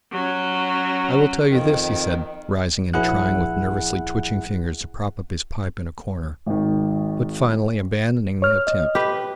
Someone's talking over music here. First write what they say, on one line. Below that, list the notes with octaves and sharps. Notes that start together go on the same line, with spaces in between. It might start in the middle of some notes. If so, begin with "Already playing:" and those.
"I will tell you this," he said, rising and trying with nervously twitching fingers to prop up his pipe in a corner, but finally abandoning the attempt.
F#3 C#4
F2 D#3
A#1 E4 G#4 F#5 F#6
G#1 D#3
C#5 F6
D#5
G4 B4